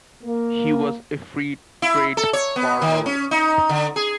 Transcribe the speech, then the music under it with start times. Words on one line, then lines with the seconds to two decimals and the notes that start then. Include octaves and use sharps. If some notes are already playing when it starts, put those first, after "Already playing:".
He was a free-trade farmer.
0.24 A#3
1.82 E4
2.17 A4
2.33 C#5
2.56 B3
2.82 D#3
3.06 C#4
3.31 D#4
3.69 D3
3.96 G#4